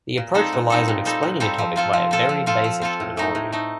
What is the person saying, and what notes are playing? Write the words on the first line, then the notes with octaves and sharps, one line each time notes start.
The approach relies on explaining a topic via very basic terminology.
A#2
G3 C4 D#4 A4
A#2
G3 C4 D#4 A4
A#2
G3 C4 D#4 A4
A#2
G3 C4 D#4 A4
F3
C4 F4 A4
F3
C4 F4 A4
F3
C4 F4 A4
F3
C4 F4 A4
A2
A3 D#4
A2
A3 D#4